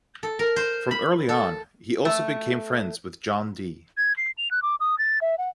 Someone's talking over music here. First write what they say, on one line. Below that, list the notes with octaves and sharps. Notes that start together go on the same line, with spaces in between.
From early on, he also became friends with John Dee.
A4
A#4
C5
B5
A4
A3
G#6
C7
F7
F#6
D6
D#6
A6
E5
F#5